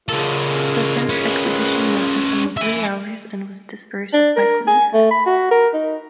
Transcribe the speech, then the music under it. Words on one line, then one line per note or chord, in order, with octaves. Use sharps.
The fence exhibition lasted only three hours and was dispersed by police.
C#3 G#3 A#3 F4 A4
C#4 B4
E5 G#5
D4
A#4
G#5
A3
B5
F#4
A#4
D#4